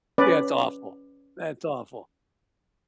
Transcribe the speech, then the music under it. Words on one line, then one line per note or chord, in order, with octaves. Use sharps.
Yeah, it's awful, that's awful,
C#4 B4 D5